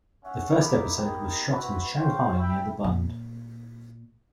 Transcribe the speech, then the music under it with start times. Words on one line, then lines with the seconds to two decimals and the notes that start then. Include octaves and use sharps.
The first episode was shot in Shanghai near The Bund.
0.24 C#4 C#5 E5 F#5
0.61 A#3 D#4 E4 F5 B5 D6
0.97 A#3 B3 D#4 G4
1.51 C4 E4 F#4 B4
1.96 C5 C#5 F5 G5
2.39 E5 G5 B5
2.84 A#2